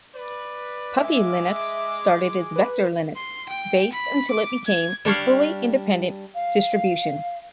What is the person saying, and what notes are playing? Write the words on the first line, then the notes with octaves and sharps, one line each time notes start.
Puppy Linux started as Vector Linux based until it became a fully independent distribution.
B4 D5
G#3 E5 D6
B4
C6
G5
B5
D6
G#6
G3 D4 C#5 F5
F5